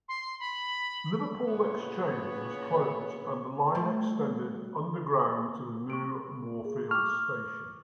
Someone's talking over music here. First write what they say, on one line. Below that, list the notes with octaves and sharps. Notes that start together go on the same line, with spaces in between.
Liverpool Exchange was closed and the line extended underground to the new Moorfields station.
C6
B5
A#2 C#3 B3 C#5
G3 A3 F5
C#6 D7
G#4
C#6 D6 F6